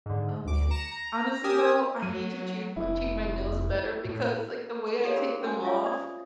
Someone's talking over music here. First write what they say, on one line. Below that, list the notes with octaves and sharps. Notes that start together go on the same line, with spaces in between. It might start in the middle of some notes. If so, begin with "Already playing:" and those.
Oh, man. Honestly though, I need to treat m treat my nails better because like the way I take them off
G#2 D3
D2 D6
A#5 C#7 E7
A#5
G4 A#4 G#5 D#6 E6
F#3 D#7
F1 E4
A2
D#4 G4 A4 C#5 D5 F5
C#4 G#4 A#4 C5 B5
C#4 F#4 C5 G5 G#5
C#4 F4 C#5 E5 F5 G#5
C5 D5 D#6